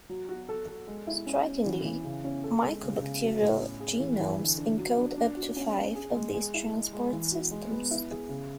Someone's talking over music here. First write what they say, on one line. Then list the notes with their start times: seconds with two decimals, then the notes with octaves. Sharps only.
Strikingly, mycobacterial genomes encode up to five of these transport systems.
0.09 F#3
0.29 F#4
0.49 A4
0.68 A4
0.87 G#3
1.07 E4
1.26 C#4
1.46 C#4
1.66 E3
1.85 E3
2.04 C#3
2.24 C#4
2.43 A4
2.64 G#3
2.83 C#3
3.02 C#3
3.22 F#3
3.42 A2
3.61 C#4
3.80 G#4
4.00 E3
4.20 E3
4.39 D3
4.58 D4
4.78 F#3
4.97 D4
5.18 D4
5.37 F#4
5.56 C#4
5.76 C#4
5.95 G#4
6.15 G#3
6.34 G#4
6.54 E4
6.74 G#3
6.93 G#3
7.13 E3
7.32 F#4
7.51 G#3
7.71 B3
7.91 E4
8.10 G#4
8.29 C#3